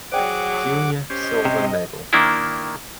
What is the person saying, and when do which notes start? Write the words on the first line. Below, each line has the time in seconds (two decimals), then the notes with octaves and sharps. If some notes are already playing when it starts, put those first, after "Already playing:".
Junior silver medal.
0.12 F#3 G#4 C5 D5 F#5 G5 D6
1.10 C#4 G4 C5 D#5
1.45 C3
2.13 D#3 A#3 D4 E4